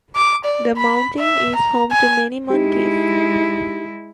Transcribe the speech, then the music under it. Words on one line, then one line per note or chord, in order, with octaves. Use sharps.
The mountain is home to many monkeys.
D6
D5
B5
E5
A#5
G#5
G#3 D#4 E4 G4